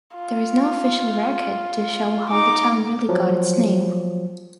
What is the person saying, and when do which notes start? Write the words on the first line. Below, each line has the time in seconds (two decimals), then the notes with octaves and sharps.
There is no official record to show how the town really got its name.
0.16 F4
2.28 D#4 D6
3.09 F3 F#3